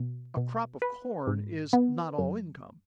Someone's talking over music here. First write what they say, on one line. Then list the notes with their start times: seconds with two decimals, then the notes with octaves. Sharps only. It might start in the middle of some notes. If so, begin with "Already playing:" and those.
A crop of corn is not all income.
Already playing: B2
0.37 B2
0.82 B4
1.27 G#2
1.73 B3
2.18 F#2